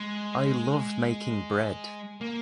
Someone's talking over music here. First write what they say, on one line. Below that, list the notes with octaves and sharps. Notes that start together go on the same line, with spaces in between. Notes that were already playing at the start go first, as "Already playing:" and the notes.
I love making bread.
Already playing: G#3
A#3